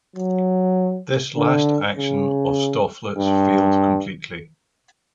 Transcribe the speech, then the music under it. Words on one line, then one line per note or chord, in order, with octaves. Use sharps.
This last action of Stofflet's failed completely.
F#3
D3
C#3
G2